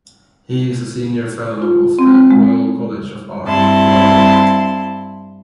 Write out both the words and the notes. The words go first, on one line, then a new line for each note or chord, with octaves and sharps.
He is a Senior Fellow of the Royal College of Art, London.
F4
C4
G#3
G2 C4 E4 A5 C6